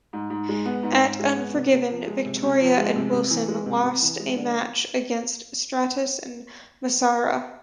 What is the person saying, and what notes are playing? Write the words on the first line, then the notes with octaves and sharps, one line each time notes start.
At Unforgiven, Victoria and Wilson lost a match against Stratus and Massaro.
G#2
G#2
G#3
B3
G#2
G#2
G#3
B3
C3
C3
F3
G#3
C3
C3
F3
G#3
C3
C3
E3
G#3
C3
C3
E3
G#3
D3